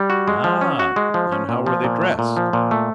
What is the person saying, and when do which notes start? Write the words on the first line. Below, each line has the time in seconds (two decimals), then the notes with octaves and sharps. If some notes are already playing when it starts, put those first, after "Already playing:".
"Ah! and how were they dressed?"
Already playing: G3
0.10 F#4
0.28 G#3
0.44 F3
0.61 C#4
0.79 F#4
0.96 G#3
1.14 F3
1.32 C#4
1.49 A#2
1.66 F3
1.84 A#2
2.02 A3
2.19 A#2
2.37 F3
2.53 A#2
2.71 A3